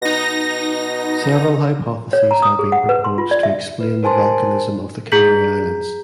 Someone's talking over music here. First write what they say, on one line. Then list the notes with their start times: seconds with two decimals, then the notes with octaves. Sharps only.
Several hypotheses have been proposed to explain the volcanism of the Canary Islands.
0.02 B2 D#4 A#6
2.13 C#5
2.31 A#5
2.42 D#6
2.59 G#4
2.72 F#5
2.89 B4
3.04 C6
3.18 F4
3.31 D5
3.43 E5
3.81 B4
4.03 A#4 C5 G#5 A5 C6
5.12 G#4 A#5 G6 B6 F#7